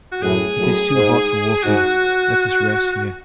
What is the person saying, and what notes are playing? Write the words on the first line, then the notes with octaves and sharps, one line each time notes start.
'It is too hot for walking, let us rest here.
F#4
F#2 A2 G#4
F#2 A2
G#2
G#2 F#4